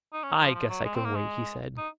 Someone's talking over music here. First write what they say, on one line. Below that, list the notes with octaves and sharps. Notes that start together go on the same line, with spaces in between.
"I guess I can wait," he said.
D#4
C#4
F3
F3
F#3
G#3
C4
A#3
G#3
D#4